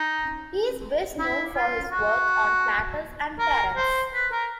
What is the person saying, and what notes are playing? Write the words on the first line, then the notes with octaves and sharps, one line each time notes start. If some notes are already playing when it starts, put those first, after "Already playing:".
He is best known for his work on Plautus and Terence.
Already playing: D#4
E4
F4
F#4
A#4
C5
B4
A#4